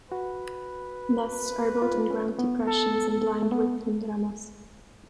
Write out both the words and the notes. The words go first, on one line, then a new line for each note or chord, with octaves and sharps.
Nests are built in ground depressions and lined with tundra moss.
F#4 B4
F4
C#4
B3
A4
A4
A3
B3